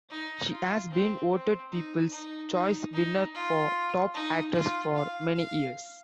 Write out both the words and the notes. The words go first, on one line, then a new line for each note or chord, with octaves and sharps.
She has been voted people's choice winner for top actress for many years.
D#4
F4
C4
C4
D#4
D#4
D#4
D#4
F4
D#4
F4
F5
F5